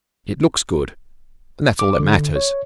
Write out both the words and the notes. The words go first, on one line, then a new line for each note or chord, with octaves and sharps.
It looks good, and that's all that matters.
D6
D3
C#5